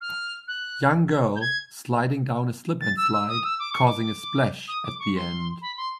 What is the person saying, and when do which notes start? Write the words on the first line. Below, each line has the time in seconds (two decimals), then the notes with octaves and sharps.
Young girl, sliding down a slip and slide causing a splash, at the end.
0.01 F6
0.47 F#6
1.35 G6
1.41 G#6
2.80 A6
2.96 E6
3.12 E6
3.28 D#6
3.43 E6
3.59 D6
3.72 C#6
3.85 D6
4.67 D#6
4.83 D6
4.99 C#6
5.15 C6
5.61 B5
5.77 C6